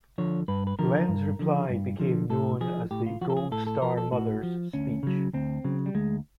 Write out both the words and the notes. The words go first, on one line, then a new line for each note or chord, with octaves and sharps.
Glenn's reply became known as the "Gold Star Mothers" speech.
D3 F3 C#5
G2 B4
B4
D3 F3 A#4
G2
D3 F3
G2
D3 F3
A2 A4
F3 G#4
A2 G4
F4
F3 F#4
A4
G#4
A2 A4
A4
F3 A#4
A4
A2 F#4
F3
D2 C#4
C#3 F#3
D2 C4
C#3 F#3
G3
D2 G#3